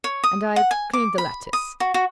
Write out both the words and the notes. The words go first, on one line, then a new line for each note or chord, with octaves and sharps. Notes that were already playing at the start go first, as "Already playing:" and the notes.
And I--cleaned the lettuce.
C#5
D#6
F#5
G#5
D6
B5
D#6
F#4
F#4